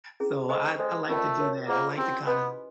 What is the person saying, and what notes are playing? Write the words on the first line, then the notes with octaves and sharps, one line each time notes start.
So, I d I like to do that, I like to kind of
C#4 E4 G#4
G#3 A4 C5 D#5 G#5
G#3 A4 C5 D#5 G5
A3 C#4 F4 A#4 D5 G5
F#4 A#4 C#5
A#3 F4 G#4 C5 D#5 F#5
C4 C#4 E4 G4
B3 B4 D#5 G#5 C6